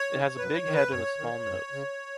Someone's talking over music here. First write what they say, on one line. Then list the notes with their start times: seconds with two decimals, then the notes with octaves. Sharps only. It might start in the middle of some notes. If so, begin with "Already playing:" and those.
It has a big head and a small nose.
Already playing: C#5
0.11 D#3
0.38 F#2 B4
0.55 C#5
0.65 D#3
0.73 B4
0.91 F#2 C#5
1.18 D#3
1.46 F#2
1.73 C#3